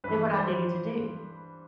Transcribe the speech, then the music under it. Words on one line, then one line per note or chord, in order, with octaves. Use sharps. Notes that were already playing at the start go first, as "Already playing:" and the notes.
did what I needed to do.
G2 E3 B4
C5